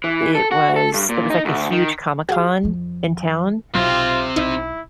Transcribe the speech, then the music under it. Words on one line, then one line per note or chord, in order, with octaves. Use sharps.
it was there was, like, a huge Comic Con in town.
E3
A4
F#4
A4
G2
A#2
D#4
D2
D#3
F#4 G#4 F5
F2 F3
B1 C3 F#3 C4 F4
B1 D#4 E4